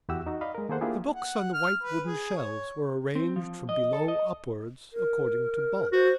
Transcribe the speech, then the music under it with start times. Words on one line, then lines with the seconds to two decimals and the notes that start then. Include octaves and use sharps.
The books on the white wooden shelves were arranged from below upwards according to bulk.
0.09 E2 E4 F#4 G4 F#5 E6
0.27 D#4 F#4
0.41 D5 D#5 F5 B5
0.55 G#3 A#4
0.69 D#3 A#3 G#4 A4 C5 F#5
0.81 A#3 D4 E4 F4 G4 G#4
1.14 F#5
1.54 F6
1.83 B4
2.07 G#4
2.36 C#5
3.15 C4
3.36 F3
3.69 D#5
3.93 A4
4.08 D#5
4.93 A#4
5.93 F#4 C5